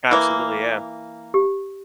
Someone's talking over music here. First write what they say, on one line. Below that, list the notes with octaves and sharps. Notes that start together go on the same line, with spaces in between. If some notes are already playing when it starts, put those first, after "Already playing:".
Absolutely, yeah.
E3 A#3
G4